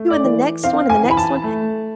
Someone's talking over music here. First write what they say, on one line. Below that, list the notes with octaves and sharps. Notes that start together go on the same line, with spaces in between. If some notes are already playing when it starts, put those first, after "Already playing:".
in the next one and the next one?"
Already playing: A3
D5
E3
C4 F5
G#5
E3
B5
A5
A3